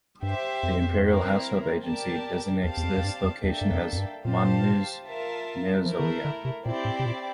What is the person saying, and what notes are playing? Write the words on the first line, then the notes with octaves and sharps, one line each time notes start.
The Imperial Household Agency designates this location as Monmu's mausoleum.
G2 G4 C5 E5
F2
C4 E4 A#4
G4 A#4 D5 A5
E2 C4 G4 D5 F5 A5
E2
F2
F2
G2
F2
E2 A#3 D4 A4 E5 G5
G2
F2
F2
G2
A#2 G4 C5 F5 A5
F4 A#4 E5 A5
F3 A3 E4 A#4
D3
E3
D3
C3
A#2 C4 E4 G4 D5
A2
C3
A#2